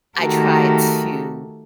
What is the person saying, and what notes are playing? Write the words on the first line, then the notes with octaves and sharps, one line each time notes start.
I try to
D#3 A3 F#4 G4 A4 A#4